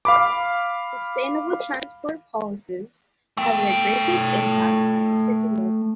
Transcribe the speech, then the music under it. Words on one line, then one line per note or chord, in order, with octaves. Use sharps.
Sustainable transport policies have their greatest impact at the city level.
F5 B5 D6
A3 G5